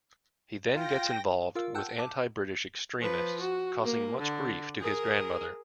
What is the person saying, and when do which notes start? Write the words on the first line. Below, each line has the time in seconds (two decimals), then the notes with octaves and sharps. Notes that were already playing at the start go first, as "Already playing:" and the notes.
He then gets involved with anti-British extremists, causing much grief to his grandmother.
0.75 F4 G5 A#6
1.55 F4 A#4 F5 E6
1.75 F#5 G5 A5 E6 F#6 G6
1.98 A5 D6
3.00 F3 B4
3.40 F#4
3.85 A#3
4.19 D3
4.80 G#4 A#4